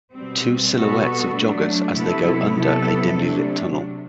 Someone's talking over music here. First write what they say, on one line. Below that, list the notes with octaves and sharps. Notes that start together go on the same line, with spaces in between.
Two silhouettes of joggers as they go under a dimly lit tunnel.
B2 G3 C4
B2 G3 B3 F#4 A4
F#3 A3 D4
C3 F#3 B3 E4 A4
C3 F#3 B3 E4 A4
C3 F#3 A3 D4